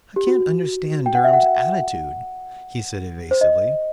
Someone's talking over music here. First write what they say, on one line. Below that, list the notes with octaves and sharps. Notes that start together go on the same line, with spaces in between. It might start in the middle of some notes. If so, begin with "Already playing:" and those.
"I can't understand Durham's attitude," he said evasively.
G4
F#4
G5
F#5
E5
F#5
C5
D#5